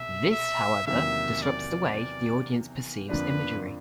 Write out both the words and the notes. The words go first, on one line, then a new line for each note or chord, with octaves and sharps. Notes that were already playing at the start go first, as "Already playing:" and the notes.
This, however, disrupts the way the audience perceives imagery.
Already playing: C2 B2 E5
E5
E2 C3 D#3 F#3 A#3 E5
D5
F2 D3 F3 A#3 D4 B4